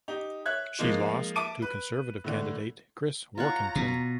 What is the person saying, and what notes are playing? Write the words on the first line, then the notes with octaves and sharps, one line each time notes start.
She lost to Conservative candidate Chris Warkentin.
D#4 G4
C#5 E5 F#6 G#6
F3 G#3 A#3 D#4 F4
E5 A5 D6 D7 D#7
B4
A2 D3 E3
F4 C#5 F#5 A#5
B2